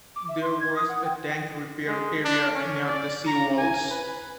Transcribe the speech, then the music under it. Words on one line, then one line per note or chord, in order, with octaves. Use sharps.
There was a tank repair area near the Sea Walls.
D6
E5
C6
G#6
D#6
F#5
G5
G#3
D4
C#4
D5
A#5
G#5
B4